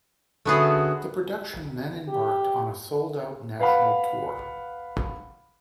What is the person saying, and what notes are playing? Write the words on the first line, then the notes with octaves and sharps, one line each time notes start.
The production then embarked on a sold out national tour.
D3 A3 B3 C#4 F#4 G#4
G4
B4 F5 F#5 B5